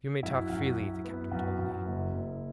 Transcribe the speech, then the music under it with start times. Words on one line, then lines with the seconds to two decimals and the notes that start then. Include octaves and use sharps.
"You may talk freely," the captain told me.
0.23 F#2 E4
0.49 F#2
0.77 F#2
1.04 B3
1.31 F#2
1.59 F#2
1.85 F#1
2.13 F#1